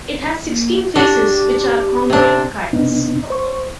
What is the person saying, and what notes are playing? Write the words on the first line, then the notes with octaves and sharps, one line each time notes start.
It has sixteen faces which are congruent kites.
A#3
D4 F#4 G4
C3 D4
C3 B3 C4 D4 D#4
C5 C#6